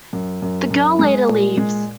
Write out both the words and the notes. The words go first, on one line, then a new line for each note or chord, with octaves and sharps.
The girl later leaves.
F#2
F#2
F#2
G#3
A#2
G#3